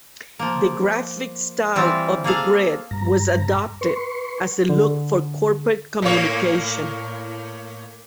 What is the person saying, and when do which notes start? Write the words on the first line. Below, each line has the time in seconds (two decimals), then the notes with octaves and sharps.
The graphic style of the grid was adopted as a look for corporate communication.
0.39 F3 A#3
1.76 E3 G3 C4 F4
2.24 A#3 G#4 A4 F5
2.91 G2 A#5
3.81 B4 C6 C#6
4.69 D3
6.02 A2 A#3 C#5